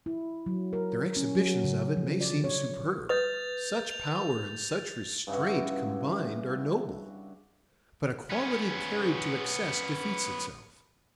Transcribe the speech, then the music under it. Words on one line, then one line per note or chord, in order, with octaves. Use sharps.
Their exhibitions of it may seem superb,--such power and such restraint, combined, are noble,--but a quality carried to excess defeats itself.
E4
F#3
A#4
C#4
F#3
C#3
F3
D5
C#5
B4 D#6 G6 A6 F7
F7
G2 C#3 E4 F#4
B3 C#4